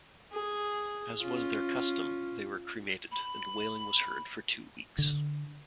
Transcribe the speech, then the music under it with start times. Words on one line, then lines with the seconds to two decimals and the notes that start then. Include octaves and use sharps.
As was their custom, they were cremated and wailing was heard for two weeks.
0.32 G#4
1.21 C#4 F4
3.12 B5
4.99 D3